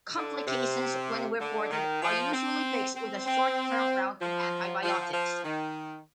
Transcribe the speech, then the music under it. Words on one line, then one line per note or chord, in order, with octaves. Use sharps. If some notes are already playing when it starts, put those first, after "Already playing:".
Complications, when reported, are usually fixed with a short-term round of antibiotics.
D3
C3
D3
D#3
F3
C4
C4
C4
F3
F3
F3
D#3